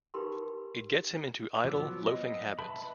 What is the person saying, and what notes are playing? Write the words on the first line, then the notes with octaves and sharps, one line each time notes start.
It gets him into idle, loafing habits.
D#4 G4 A#4 B4 B5 C6
F3 F#3 B3 D6 E6
D#5
B4 E5 A5 B5